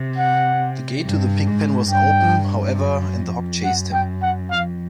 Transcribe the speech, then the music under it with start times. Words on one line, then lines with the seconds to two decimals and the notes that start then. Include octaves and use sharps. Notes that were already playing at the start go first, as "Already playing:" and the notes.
The gate to the pigpen was open, however, and the hog chased him.
Already playing: C3
0.18 F#5
1.04 G2
1.47 G#2
1.91 G2 G5
2.78 F#2
3.21 F2
3.64 F#2 F#5
3.93 G5
4.22 F#5
4.51 F2 F5